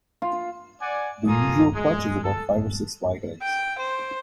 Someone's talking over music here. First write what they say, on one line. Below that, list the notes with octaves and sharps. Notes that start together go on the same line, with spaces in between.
The usual clutch is about five or six white eggs.
F4
D5 F#5 G#5
A#3 F4 A4 G#5 A#5 D#6
G#3
A4
G5
C5